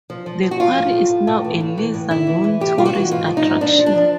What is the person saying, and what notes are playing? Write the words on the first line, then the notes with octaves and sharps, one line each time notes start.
The quarry is now a lesser-known tourist attraction.
F3
F3
F3
F#4
F3 F4
A2
A2
A2
A2
E3
A2
E3
A2
A2 E4
E3
E3
A2 G4
A2 F4
F#4
E3
G#2 F4
F3
D#4
G#2
F3 D4
F3
D4
F3